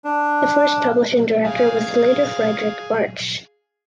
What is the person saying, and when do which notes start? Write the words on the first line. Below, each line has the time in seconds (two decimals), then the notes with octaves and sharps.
The first publishing director was the later Friedrich Bartsch.
0.04 D4
1.44 G#4 F5